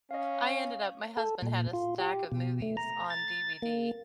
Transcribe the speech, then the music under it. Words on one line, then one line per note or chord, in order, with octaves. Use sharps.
I ended up my husband had a stack of movies on DVD,
C#4 D#5 F5
A4
A#2
F4
G4
B2
A3
A#5
A6
A#3